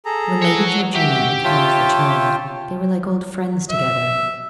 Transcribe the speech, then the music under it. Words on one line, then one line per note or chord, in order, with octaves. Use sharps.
When Lady Georgina and the Count returned, they were like old friends together.
G#4 A4 A#5
C#5 F#5
F#4 G4 E5
F4 C#5 E5 G5 A5
E5